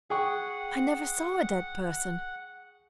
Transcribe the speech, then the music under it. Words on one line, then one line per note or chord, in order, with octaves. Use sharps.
'I never saw a dead person.
G#4 F#5 G5 C#6